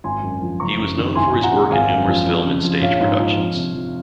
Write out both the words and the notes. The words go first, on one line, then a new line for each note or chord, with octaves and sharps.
He was known for his work in numerous film and stage productions.
G#1 G#5 C6
F#2
F3
F#1 A#5 C#6
F#2
D#3
C2 G#5 C6
A#2
F#5 A#5
G#3
G#1 F5 G#5
F#2
F3
F2
C#3
F3
A#1 C#5 F5
G#2
F3
F2
C3
F3